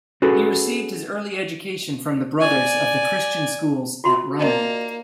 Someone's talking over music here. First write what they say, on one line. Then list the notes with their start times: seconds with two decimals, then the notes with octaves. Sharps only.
He received his early education from the Brothers of the Christian Schools at Rome.
0.22 C#4 F#4 G#4 A4 B4
2.41 D5 G#5
4.04 F4 F#4 C6
4.39 A#3 D#4 D5 D#5